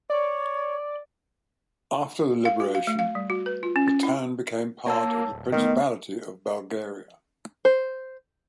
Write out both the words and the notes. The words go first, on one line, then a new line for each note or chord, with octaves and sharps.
After the liberation the town became part of the Principality of Bulgaria.
C#5 D5
F5
F#4
F5
A3
F5
G3
F#4
B4
F4
C#4
C#4
E4
A#3 C#5 A5 E6
D1
D#3 A3 B3 D#5
C5